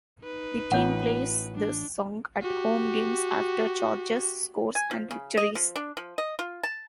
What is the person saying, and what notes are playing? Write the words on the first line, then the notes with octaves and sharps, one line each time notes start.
The team plays this song at home games after Chargers scores and victories.
D#4 B4
A1 F4 C#5 F#5
D4
F#4 G4
G#5
F3
C#3
D#5
F3
D4
F3
D#5
F4
A5